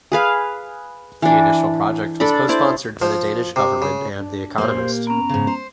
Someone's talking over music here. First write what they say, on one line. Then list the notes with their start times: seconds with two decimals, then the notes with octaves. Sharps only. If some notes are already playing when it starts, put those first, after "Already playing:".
The initial project was co-sponsored by the Danish government and "The Economist".
0.12 G#4 B4 F5
1.22 E3 D4
2.20 D4 A4 D5 B5
2.49 E4 C5 D5
3.02 F3
3.56 C3
3.82 C#3
4.18 D4
4.58 A#2 A#3 G4 C5
5.07 B3 C#4 A#5
5.29 G#2 C#3
5.47 C5